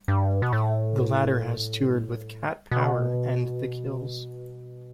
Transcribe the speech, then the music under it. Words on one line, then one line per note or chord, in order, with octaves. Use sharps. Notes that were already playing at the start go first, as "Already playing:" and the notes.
The latter has toured with Cat Power and the Kills.
G2
B2
A2
B2